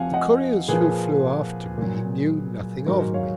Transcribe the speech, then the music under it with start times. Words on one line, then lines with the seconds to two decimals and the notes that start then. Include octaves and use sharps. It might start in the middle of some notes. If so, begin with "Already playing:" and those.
The Couriers, who flew after me, knew nothing of me.
Already playing: F2 F3 F5 F#5 G#5
0.13 D#5 F#5
0.68 A#2 F3 G#4 B4
1.78 A#2 F#3
2.86 G#2 D#3 F#3 F#4 A#4
3.14 C#5 F5